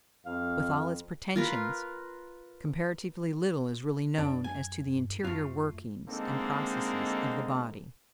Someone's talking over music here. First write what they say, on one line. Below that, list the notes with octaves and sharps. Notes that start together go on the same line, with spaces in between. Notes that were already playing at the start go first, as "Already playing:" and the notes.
With all its pretensions, comparatively little is really known as to the interior workings and processes of the body.
F2 F5
F4 A#4 B4
F#2 D4
G#5
G2
F#2 A3 F4
D3 G#3 A#3 C4 D#4 A4